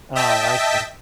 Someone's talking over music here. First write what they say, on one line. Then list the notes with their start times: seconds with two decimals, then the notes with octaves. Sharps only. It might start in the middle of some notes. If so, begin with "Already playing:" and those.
Oh, I see.
0.15 D#5 E5 G5 A5 B6